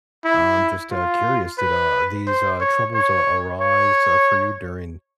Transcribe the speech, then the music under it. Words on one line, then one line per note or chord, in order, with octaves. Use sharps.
I'm just, uh, curious, did, uh, these, uh, troubles, uh, arise, uh, for you during
E4
F4
B4
C5
C#5
C#5
C#5